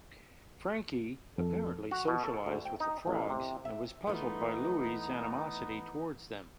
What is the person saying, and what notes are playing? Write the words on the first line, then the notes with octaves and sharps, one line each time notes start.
Frankie apparently socialized with the frogs and was puzzled by Louie's animosity towards them.
F2 A4
F#4
B2
A4
D2
G5
D#4
A1
C3
E5
E3 A3 B3 D#4 F4